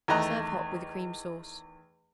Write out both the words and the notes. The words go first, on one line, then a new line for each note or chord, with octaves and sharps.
Serve hot with a cream sauce.
E2 D#3 A3 D#5 A#5 F#6